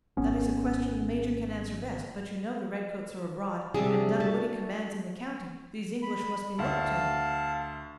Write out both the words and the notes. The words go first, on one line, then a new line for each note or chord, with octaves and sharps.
"That is a question the major can answer best; but you know the redcoats are abroad, and Dunwoodie commands in the county; these English must be looked to."
G#1 B3 C#4
C3 G3 D4 G#4 E5
A3 F#4 E5 A5
B5
D2 F5 A5